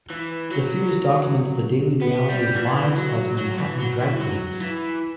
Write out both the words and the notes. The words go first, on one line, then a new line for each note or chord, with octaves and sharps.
The series documents the daily reality of lives as Manhattan drag queens.
E3
F#3
B3
G3
E3
F#3
F#3
E3
F#3
E3
F#3
E3